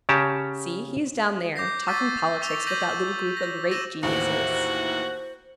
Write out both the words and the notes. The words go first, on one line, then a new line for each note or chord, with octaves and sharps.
"See, he is down there, talking politics with that little group of great geniuses."
C#3 C#4 G4 A5 A#5
D6 G6 A#6 C7
C#6 D6 E6 A6 B6 D#7
C#6 E6 A6 F7 G7
G6 A#6 B6 D#7 F#7
A#6
E6 A#6 D#7 E7 F#7
D#2 A2 E3 F#4 C5